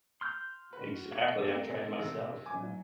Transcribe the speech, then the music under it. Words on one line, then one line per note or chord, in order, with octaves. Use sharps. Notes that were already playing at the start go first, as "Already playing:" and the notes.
Exactly. I've tried myself. Yeah.
C6 F6 G6
F#4 B4
A3 C4 G4 A4 A#4 F5
C3
F#3 G#5 D6